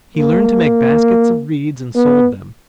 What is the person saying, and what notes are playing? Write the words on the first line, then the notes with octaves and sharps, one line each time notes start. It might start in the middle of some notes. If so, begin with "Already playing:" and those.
He learned to make baskets of reeds and sold them.
A#3
B3